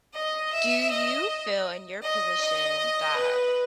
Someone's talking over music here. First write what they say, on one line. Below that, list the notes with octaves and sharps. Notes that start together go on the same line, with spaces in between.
do you feel in your position that
D#5
E5
D#5
D#5
D#5
D#5
B4